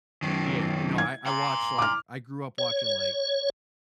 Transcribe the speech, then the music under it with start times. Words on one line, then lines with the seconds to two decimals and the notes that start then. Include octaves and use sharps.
Yeah, eh, no, I I watched, like I grew up watching, like,
0.22 F#2 D#3
0.98 G#6
1.26 A#5 C6
1.79 D6 F6
2.58 C#5